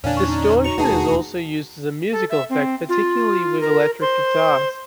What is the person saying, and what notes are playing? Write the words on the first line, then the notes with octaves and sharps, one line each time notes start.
Distortion is also used as a musical effect, particularly with electric guitars.
E2 A#2 D3 C#4 D4 A#4 F5 G#5
D#4 C#6
F#4 C#5 C#6 F7
E1 D#2 A3 F#4 G#4 B4 A5
A4
E5
C4
F4
A#4
C5